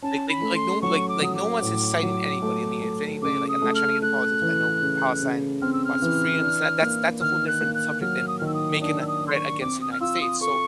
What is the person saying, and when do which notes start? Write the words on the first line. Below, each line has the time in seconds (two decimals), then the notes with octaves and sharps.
like like like no like like one's inciting anybody. I mean, if anybody like, I'm not trying to get to politics, but I know Palestine wants their freedom, so that that's a whole different subject than making a threat against the United States, so,
0.02 C#4 A5
0.29 B5
0.42 A3
0.55 C6
0.82 F#3 C#6
1.09 D6
1.22 F#3 D#6
1.35 D6
1.62 A2
2.03 F#3
2.42 A3
2.82 A3
3.22 C#3 D6
3.49 D#6
3.62 A3
3.75 F6
4.02 A3 F#6
4.42 E3
4.82 C#3
5.22 C#3
5.62 C4 F6
5.73 E6
5.85 F6
6.02 E3
6.41 D4
6.81 A#3
7.21 D#3 F6
7.48 F#6
7.61 A#3
7.75 F#6
8.01 F#3 F6
8.28 D#6
8.39 D#3 F6
8.47 E6
8.54 D#6
8.81 D4 D#6
9.01 E6
9.08 D#6
9.21 D4
9.27 C6
9.34 C#6
9.61 C4 D6
9.81 D#6
9.92 F6
10.01 F4 E6
10.21 D#6
10.41 A4 C#6